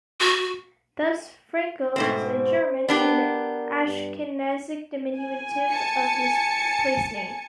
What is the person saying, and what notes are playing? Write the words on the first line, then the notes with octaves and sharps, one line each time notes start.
Thus Frankel is a German and Ashkenazic diminutive of this placename.
F#4
G#2 B2 A3 C4
C5
B3 D4 G4 A#4
G2
G#5
A5 C#7